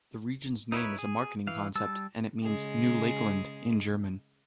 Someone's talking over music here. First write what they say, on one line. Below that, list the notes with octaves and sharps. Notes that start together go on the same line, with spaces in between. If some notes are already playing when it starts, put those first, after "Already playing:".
The region's name is a marketing concept and it means "New Lakeland" in German.
D#4 E4 B4 C#5
G#4
E3 F5
G3 A5 E6
C#3 G#3 G#4